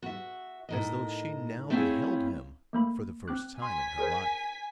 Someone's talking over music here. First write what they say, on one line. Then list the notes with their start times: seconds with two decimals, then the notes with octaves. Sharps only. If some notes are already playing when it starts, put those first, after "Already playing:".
As though she now beheld him for the first time in her life.
0.02 F#4 E5
0.69 A2 D#3 D#5
1.70 A3 C4 C#4 E4 G#4 F5
2.73 A3 A#3 B5
3.28 C4 D6 F#6
3.62 G#5 C6 B6
3.99 G#4 A#4 C5